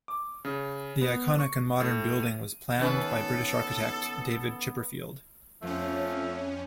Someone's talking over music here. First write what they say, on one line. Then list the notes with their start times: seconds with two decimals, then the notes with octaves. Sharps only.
The iconic and modern building was planned by British architect David Chipperfield.
0.08 D6
0.45 C#3
1.01 B3
1.39 C#6
1.80 A2
2.23 D#7
2.78 D#3 B3 C#4 A4 B4
5.62 F2 F3 A3 C#4